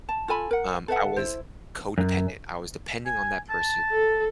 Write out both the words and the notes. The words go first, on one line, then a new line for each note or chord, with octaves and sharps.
um, I was codependent, I was depending on that person
A5
F4 A4 G#5 B5
A#4 F#5
A4 B4 E5 F#5
E4 C5
F#2
G#5
A5
A4